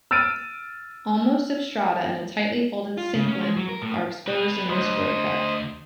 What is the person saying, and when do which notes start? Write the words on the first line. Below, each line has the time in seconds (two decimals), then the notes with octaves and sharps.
Almost of strata in a tightly folded syncline are exposed in this road cut.
0.11 E6 F6 A6 D7 D#7
2.98 F4
3.15 C#3
3.28 C#4
3.41 G#3
3.57 F#3
3.69 A#4
3.82 A2
4.26 B4 D#5
4.69 D2 C5 D#5